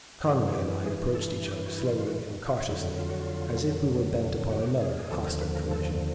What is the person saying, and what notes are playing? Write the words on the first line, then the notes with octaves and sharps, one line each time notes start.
Conway and I approached each other slowly and cautiously, as if we were bent upon another hostile collision.
G2 E3 G#4
G#4
G4
G#4
A4
G4
F#4
E4
F4
F4
F#4
F4
F2 D3 F#3 E4
F4
F#4
F4
F#4
G4
F#4
G#4
G#4
D#2 D3 F3 A4
A#4
B4
A#4
A4